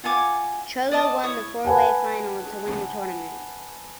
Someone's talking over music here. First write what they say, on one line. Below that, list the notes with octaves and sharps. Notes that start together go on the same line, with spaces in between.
Cholo won the four-way final to win the tournament.
F4 F#5 G#5 D6
D5 D#5 A5 D#6
E4 C#5 D#6
B4 F#5 G#5 A5